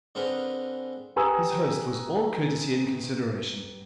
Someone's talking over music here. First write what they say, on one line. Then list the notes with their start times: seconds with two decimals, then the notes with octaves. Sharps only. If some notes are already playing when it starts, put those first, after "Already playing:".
His host was all courtesy and consideration.
0.15 D3 C4 G#4 A#4 B4
1.16 G4 B4 G#5 A#5 D#6 E6